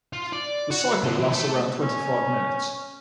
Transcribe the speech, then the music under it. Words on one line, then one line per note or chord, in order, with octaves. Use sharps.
The cycle lasts around twenty-five minutes.
F4
D5
F#4
D3 C4
E3 F3
A3
C#4